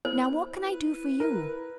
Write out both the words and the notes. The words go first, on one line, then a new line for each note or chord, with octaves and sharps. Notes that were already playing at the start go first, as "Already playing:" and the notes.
"Now what can I do for you?"
E4 C5
B4
E4 A#4